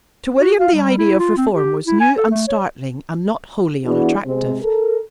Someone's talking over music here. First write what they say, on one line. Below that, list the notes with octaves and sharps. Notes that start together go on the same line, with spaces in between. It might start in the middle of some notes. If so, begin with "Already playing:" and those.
To William the idea of reform was new and startling and not wholly unattractive.
F#4
F5
G3
E4
F4
C4
G4
E4
G#5
A4
A3
C#5
E3 B3 D4 E4 F#4 G#4
C3 G#3 C4
A4 A#4